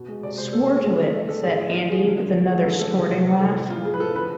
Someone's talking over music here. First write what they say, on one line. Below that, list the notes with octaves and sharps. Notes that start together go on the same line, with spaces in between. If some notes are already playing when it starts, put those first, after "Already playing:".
"Swore to it," said Andy with another snorting laugh.
Already playing: B2
G#3
C3 D5
G#3 C5
B2 A4
G#3
B2 G#4
A3
D3 A4
A3 A4
A2 G#4
E3
A2 F4
F3 G#4
D3
A3
B2
G#3
D3 A4
A3 A4
C3 G#4
F3
C3
E3 A4
A2
F3 F4
A2 G#4
B4
F3 A4
D3 B4